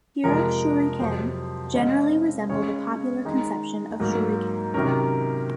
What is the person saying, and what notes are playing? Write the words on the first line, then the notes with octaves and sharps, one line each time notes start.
Hira-shuriken generally resemble the popular conception of shuriken.
F2 C3 F3 G#3 A#4
F2 C3 F#3 C5
C#3 G#3 C4 D#5
C#3 G#3 C#4 C#5
D#3 G#3 D#4
G#2 F#3 A#3
C3 D#3 F#3 C#4 A#4